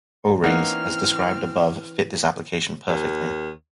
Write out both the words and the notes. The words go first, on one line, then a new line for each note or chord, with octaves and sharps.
O-rings, as described above, fit this application perfectly.
E3 A#3 C4 C#4 D#4 F#5 G#5 F6
D#2